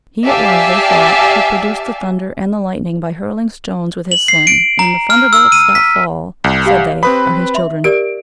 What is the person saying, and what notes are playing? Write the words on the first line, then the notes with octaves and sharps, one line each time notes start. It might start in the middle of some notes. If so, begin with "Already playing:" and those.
He it was, they thought, who produced the thunder and the lightning by hurling stones with his sling; and the thunderbolts that fall, said they, are his children.
G4 D5 E5 F5 G#5 A5
F#7
C7
D7
A#5
F6
E6
D#7
B6
C2
G4 F5 F#5
C4 B4 C#5 B5 C#6 D#6
E5 C6
G4 A#4 D5 D7